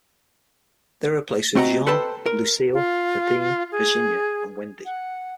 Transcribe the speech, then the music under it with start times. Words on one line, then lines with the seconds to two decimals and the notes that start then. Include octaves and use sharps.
They were replaced with Jean, Lucille, Nadine, Virginia and Wendy.
1.55 A3 C4 F#4 D#5 F#5 A#5
1.87 A4 B4 C5 G5 A5
2.26 A#4
2.73 F4
3.72 G#4
4.86 F#5